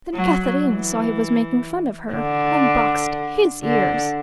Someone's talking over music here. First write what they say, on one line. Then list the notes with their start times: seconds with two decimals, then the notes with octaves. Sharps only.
Then Katharine saw he was making fun of her, and boxed his ears.
0.14 F#3
0.64 E3
2.14 D3
3.63 D3